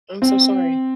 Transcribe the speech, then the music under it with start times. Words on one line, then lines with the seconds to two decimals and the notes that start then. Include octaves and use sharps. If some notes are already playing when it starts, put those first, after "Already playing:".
I'm so sorry.
0.22 C4